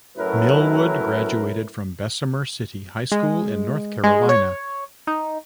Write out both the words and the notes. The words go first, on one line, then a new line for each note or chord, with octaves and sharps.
Millwood graduated from Bessemer City High School in North Carolina.
F#2 A2 F#3 E4 A#4 B4
G#3
G#3
C#5
D#4